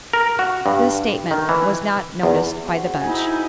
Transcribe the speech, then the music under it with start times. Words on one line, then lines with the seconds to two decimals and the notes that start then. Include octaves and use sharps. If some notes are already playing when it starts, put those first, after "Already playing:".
This statement was not noticed by the bench.
0.13 A#4
0.39 F#4
0.66 G2
1.31 D#3
1.49 E3
2.23 E2
2.65 C4 F#4 G#4
3.01 D#4 E4 G#5